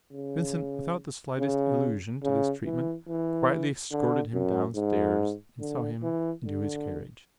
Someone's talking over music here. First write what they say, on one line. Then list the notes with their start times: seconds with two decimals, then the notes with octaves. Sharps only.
Vincent, without the slightest allusion to this treatment, quietly escorted him downstairs and saw him into his carriage.
0.12 C#3
1.39 C#3
2.23 C#3
2.66 E3
3.08 E3
3.91 D3
4.33 F#2
4.75 G#2
5.60 D3
6.03 E3
6.44 D3